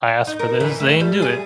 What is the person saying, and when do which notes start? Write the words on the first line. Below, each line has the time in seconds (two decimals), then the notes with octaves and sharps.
asked for this, they didn't do it.
0.27 D#4
0.39 A#4
0.60 E3
0.80 A3
1.00 G3
1.22 G#4